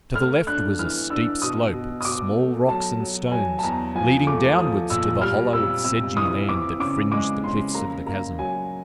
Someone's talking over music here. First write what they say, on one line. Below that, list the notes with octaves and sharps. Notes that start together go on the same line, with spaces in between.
To the left was a steep slope of small rocks and stones, leading downwards to the hollow of sedgy land that fringed the cliffs of the chasm.
A3 F6
D4 F#6
E3 F6
D4 E6
B2 D#6
B2
D#6
B2 D6
A3
F#3 A5
F#3
F#3 G#5
A5
E2 A#5
F3 G#5
A3 D6
F3 D#6
A#2 E6
G3 F6
F2 E6
C3 E6
E3 D#6
F2 D6
C#3 D6
G#3 D6
C#3 C6
A#3 A#5
A#3 A#5
F#3 G#5